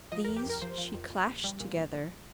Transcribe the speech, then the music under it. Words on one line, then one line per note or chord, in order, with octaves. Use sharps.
These she clashed together.
F3 D#5
A#4
F2
G4
F2 A#4
F3 C5
F3
F2
A#1
A#1
G3
A#2
A#1
A#1